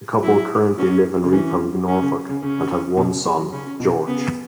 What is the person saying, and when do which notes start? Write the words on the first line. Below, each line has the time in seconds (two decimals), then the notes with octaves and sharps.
The couple currently live in Reepham, Norfolk, and have one son, George.
0.23 F#3 E4
0.78 F#3 C#4
1.24 C#3
1.33 E3 C#4
1.88 F#3 C#4
2.02 C#3
2.29 C#3
2.43 C#3 C#4
2.97 B2
3.11 C#3
3.25 E3
3.39 F#3
3.52 C#3 C#4
3.80 B2
4.07 C#3 B3